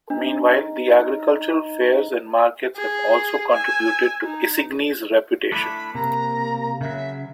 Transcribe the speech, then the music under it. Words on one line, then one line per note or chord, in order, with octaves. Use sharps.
Meanwhile, the agricultural fairs and markets have also contributed to Isigny's reputation.
D4 D#4
G#4
G#5 E6
D#4
A3 D4 E4 B5
C3 A#3 A#5
C#3 F#3 E5